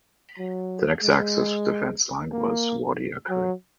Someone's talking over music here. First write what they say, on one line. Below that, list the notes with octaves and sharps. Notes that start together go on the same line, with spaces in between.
The next Axis defence line was at Wadi Akarit.
F#3
G#3
A#3
F#3